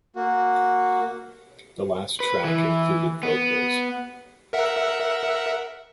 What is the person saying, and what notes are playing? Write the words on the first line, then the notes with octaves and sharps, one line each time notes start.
The last track included vocals.
A#3 F#4
B4
E3
B3
A#4 E5 F#5